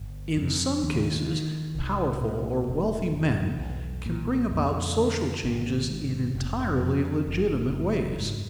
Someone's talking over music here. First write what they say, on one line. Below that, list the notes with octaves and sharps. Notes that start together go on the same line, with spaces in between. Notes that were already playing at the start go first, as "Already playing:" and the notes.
In some cases powerful or wealthy men can bring about social changes in entirely legitimate ways.
Already playing: G1
F2
D#2
D#3
C2
A#2
E1
E2
B1
A#2
F2
D3
G#1
G#2
F1
F2
F#1
F#2
G#2